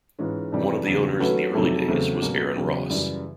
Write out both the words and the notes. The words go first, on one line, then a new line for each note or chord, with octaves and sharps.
One of the owners in the early days was Aaron Ross.
G#2 E3 G#3 C#4 F4
F2 C3 E3 G3
E2 C#3 F#3
F#3 A3 C#4 F#4 B4
F2 C3 D#3 F#3 A3
E2 C#3 F#3 A3 C4
B2 F#3 A#3 C#4
E2 C#3 F#3
F#2 C#3 E3 G3